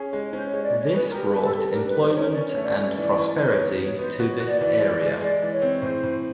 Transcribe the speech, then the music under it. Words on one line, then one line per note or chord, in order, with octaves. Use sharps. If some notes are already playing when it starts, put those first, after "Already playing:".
This brought employment and prosperity to this area.
Already playing: C#4 G#4 C#5
G#3
C#4 C5
C#5
G#3
D5
C#4
C#5
B3 B4
A#4
G4
B4
G3
A4
G3 A4
A#4
D4
B4
B3 C5
C#4 C#5
D5
C#4
C#5
A3
D5
C#4 D5
E3
E3
D#4 C#5
B3
B3
B3 C5
C#5
F#4
C#5
F#4 D5
E3 D5
G#3
G#3
G#3 D5
E3
C#5
C4
A2 C5
A2